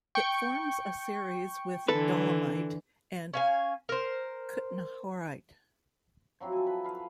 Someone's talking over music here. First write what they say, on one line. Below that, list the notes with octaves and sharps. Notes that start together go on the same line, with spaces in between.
It forms a series with dolomite and kutnohorite.
G5 C#6
D3 E3 A4 B4
C#4 F5 G#5
A#4 C5
F3 F#3 C4 E4
A4 G#5
B4
B4 F5